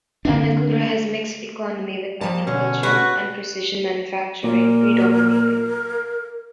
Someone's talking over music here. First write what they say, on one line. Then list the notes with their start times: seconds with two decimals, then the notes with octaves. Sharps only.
Tanagura has mixed economy with agriculture and precision manufacturing predominating.
0.25 D3 C4 D4
2.21 F3 A#3 A5
2.47 B2 D3 C#4
2.83 F#4 B4
4.44 A#2 A#4